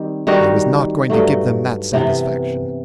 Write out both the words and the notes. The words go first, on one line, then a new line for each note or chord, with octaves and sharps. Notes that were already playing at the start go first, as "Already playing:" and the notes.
I was not going to give them that satisfaction.
Already playing: D#3 G3 C4
D#3 G3 D#4 F#4
G2 F#3 A3
C3 E3 B3